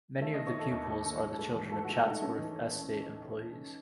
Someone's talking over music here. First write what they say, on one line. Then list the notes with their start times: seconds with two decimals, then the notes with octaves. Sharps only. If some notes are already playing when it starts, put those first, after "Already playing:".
Many of the pupils are the children of Chatsworth estate employees.
0.21 A3 E5
0.34 D#3 D#5
0.47 C#5
0.54 D#3 A4
0.71 D#2
0.89 D#2
1.05 D#2
1.22 G#2
1.39 A3
1.55 E3
1.72 A3 A4
1.84 F#4
1.89 A3
1.97 E4
2.06 A3 D#4
2.22 A3 C#4
2.35 E3 D#4